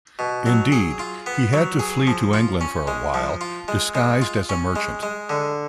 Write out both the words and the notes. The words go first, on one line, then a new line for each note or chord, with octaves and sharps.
Indeed, he had to flee to England for a while, disguised as a merchant.
B2
F#3
G#4
F4
B3
F#3
G#4
F3
F4
C#4
G#3
F3
F4
G#3
G#3
F4
C#4
G#3
G#3
D3